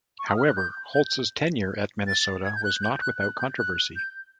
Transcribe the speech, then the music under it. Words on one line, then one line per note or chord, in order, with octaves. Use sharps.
However, Holtz's tenure at Minnesota was not without controversy.
C#6
D#6
F6
F#6
G6
G6
A6
G#6
G6
F#6
G6
F#6
F#6
G6
F#6
G6